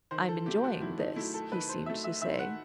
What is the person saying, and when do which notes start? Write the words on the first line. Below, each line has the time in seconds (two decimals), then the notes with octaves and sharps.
"I'm enjoying this," he seemed to say.
0.11 D#3 C5
0.29 A4
0.46 F#3 A3 G4
0.64 F#4
0.81 D#3 E4
0.99 D#4
1.16 F#3 A3 E4
1.34 A4
1.52 D#3 B4
1.69 C5
1.86 F#3 A3 E5
2.04 E5
2.22 D#3 E5
2.39 F#5